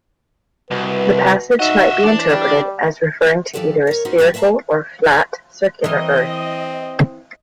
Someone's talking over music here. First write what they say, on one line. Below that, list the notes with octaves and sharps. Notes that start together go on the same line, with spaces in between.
The passage might be interpreted as referring to either a spherical or flat-circular earth.
C2 B2 B4
D#4 F#4 D#5 E5
E3 D4 D5
G3
E3 F3 G4 A4 D5 F#5
A#4 C#5
B3 C#4 D#4 F#4 C5
F#3 G#3 G4 B4 C#5
B4 C5 E5 G5 A5 A#5
E3 C4 A#4 D#5